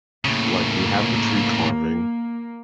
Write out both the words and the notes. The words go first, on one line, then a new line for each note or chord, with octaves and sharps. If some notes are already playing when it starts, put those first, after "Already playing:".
like, we have the tree carving.
A2 C#3 A#3